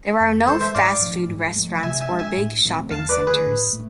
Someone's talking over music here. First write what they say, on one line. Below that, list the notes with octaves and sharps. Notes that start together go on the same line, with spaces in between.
There are no fast food restaurants or big shopping centers.
F2
E3 G#3 A4 C5
C5 E5
G#2 D5 F5
F3 A3 D4
G#2
F3 A3
C3 E5 G#5
E5 G#5
G#3 D4
E5 G#5
A2
E3 A3 C4
E2 F5 A5
B4 D5
D3 A3 D4
G#4 B4
A2
A3